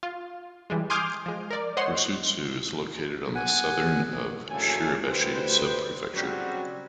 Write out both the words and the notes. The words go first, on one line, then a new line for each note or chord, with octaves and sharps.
Rusutsu is located on the southern of Shiribeshi Subprefecture.
F4
E3 G3 G#3
G#5 C6 D6 D#6 F6 G6
F3 G#3
A#4 D5
C5 C#5 D#5 F#5 C6
F#5 G#5
F#1 D2 C#3 F#3 A4 G#5
D2 G4 B4 C5
C#3 F#3 G3 C4 F#4